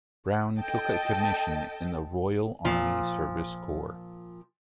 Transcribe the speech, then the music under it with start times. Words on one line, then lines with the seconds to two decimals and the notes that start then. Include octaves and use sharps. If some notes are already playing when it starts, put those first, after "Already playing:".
Brown took a commission in the Royal Army Service Corps.
0.59 A4 D#5 G5 A5
2.65 A#2 F3